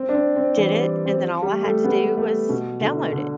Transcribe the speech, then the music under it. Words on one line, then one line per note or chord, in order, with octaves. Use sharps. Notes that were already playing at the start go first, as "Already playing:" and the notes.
did it, and then all I had to do was download it.
Already playing: C4
D4
C4
C4
E3
G3
C4
G3
A3
B3
A3
B2
D3
D3